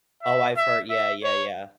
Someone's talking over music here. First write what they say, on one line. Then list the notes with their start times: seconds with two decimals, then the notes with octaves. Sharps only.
Oh, I've hear yeah, yeah, yeah.
0.23 E5
0.57 E5
0.90 E5
1.24 C#5